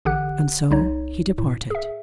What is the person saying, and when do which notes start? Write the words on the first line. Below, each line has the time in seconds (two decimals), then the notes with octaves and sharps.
And so he departed.
0.05 A1 D3 G4 F#5 F#6
0.71 C2 D#4 C#5
1.38 A2
1.70 G#4 E5